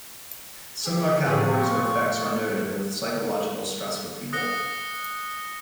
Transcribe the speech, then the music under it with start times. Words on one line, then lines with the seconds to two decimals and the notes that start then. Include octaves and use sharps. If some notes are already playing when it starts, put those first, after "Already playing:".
Similar categories or effects are noted with psychological stress with people.
0.85 A3 G4 G#4
1.26 A2 F3 F4 G4 G#4 B4 G#5 C#6
2.28 A3
4.33 D#6 F#6 A#6 C#7 G7